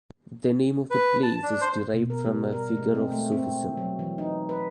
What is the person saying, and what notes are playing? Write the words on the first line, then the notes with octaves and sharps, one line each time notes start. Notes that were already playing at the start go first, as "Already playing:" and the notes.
The name of the place is derived from a figure of Sufism.
B4
A5
D4
C5
B2
A#4
G3
A#4
G#3
C4
A3
C4
F#3
E3
D#4
B4